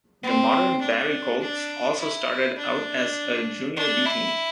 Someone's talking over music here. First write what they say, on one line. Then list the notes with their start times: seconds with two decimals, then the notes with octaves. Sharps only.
The modern Barrie Colts also started out as a Junior B team.
0.24 C4
0.82 D4
1.41 D4
2.00 E4
2.58 D4
3.77 D4
4.06 E4